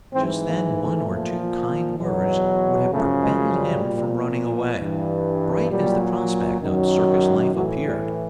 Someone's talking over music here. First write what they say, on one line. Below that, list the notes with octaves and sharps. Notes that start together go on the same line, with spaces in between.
Just then one or two kind words would have prevented him from running away, bright as the prospect of circus life appeared.
G#2 E3 C4
A#3
A3
A#2 F3
E2 B2 F#3
F#2 C#3 F3 A3
G#3
G3
A#2 F3
G2 E3
A#2 F#3 G3
F#2 D#3 F#3
A2 E3 F#3
G3